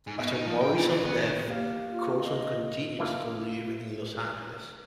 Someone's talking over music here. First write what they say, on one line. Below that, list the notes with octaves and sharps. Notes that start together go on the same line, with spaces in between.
After Morrison's death, Courson continued to live in Los Angeles.
G#2
B2
D#4
F3
G5
A#2
C#3
B3
D#3
A#3 G4 F5
F4
D#5
F#2 E3 A3 A#3 F4 F5